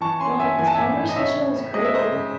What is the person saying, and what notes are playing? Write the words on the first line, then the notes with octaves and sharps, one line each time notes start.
Well, this conversation was great.
E3 A5 C#6
C#4 G#5 C6
C#4 E5 G#5
E3 G#5
A5
A2 E5 G#5
A2
D#5
C#3 C#5 E5
C#3
C#4
G#3 D#5
E5
C#4 C5 D#5
C#3